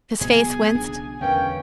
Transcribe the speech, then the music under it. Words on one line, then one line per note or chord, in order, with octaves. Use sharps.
His face winced.
B2 F#3 B3 G#4 G#5
B1 C#3 D4
E2 G2 D3 C#4 A#4 B4 F5 G5